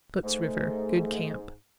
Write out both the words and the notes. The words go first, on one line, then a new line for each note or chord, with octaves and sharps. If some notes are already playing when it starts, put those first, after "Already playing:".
Soot's River.--Good camp.
G#2 A3